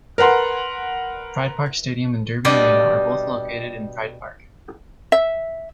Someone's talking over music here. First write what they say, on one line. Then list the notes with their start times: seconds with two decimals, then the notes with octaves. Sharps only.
Pride Park Stadium and Derby Arena are both located in Pride Park.
0.18 A#4 B4 F#5 C6
2.45 B2 G3 D4 G4 D5 D#5
5.12 E5